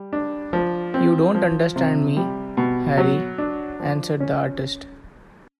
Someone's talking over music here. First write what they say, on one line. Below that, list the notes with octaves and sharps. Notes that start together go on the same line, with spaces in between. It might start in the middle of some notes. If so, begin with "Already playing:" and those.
"You don't understand me, Harry," answered the artist.
Already playing: G3
D4
F3
C4
F3
C3
G3
B2
F#3
D4
F3
C#4